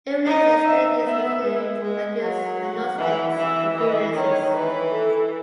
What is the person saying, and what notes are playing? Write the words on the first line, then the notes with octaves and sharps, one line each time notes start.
Irreligious Canadians include atheists, agnostics, and humanists.
D#4 D#5
E5
B3 E5
G#3
G#3
F#3
F#5
E3
E3 E5
E3 D#5
D#3 C#5
E3 B4
A4